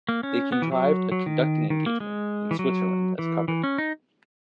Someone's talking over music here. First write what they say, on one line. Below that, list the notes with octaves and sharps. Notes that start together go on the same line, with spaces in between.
They contrived a conducting engagement in Switzerland as cover.
A#3
C#4
B3
E3
F#3
F#3
D#3
D#3
A#3
G#3
E3
F#3
E3
E3
C#4
D#4